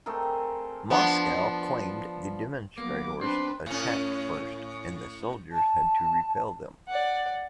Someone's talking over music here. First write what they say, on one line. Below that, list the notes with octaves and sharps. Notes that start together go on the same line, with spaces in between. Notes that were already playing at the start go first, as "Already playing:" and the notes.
Moscow claimed the demonstrators attacked first and the soldiers had to repel them.
A3 C4 G#4 A#4
F3 B3 D4
F#3 A#3 B3 F#5 D6
C4 D4 D#4 B4 G5 C6
A2 C#4
A5
D5 F#5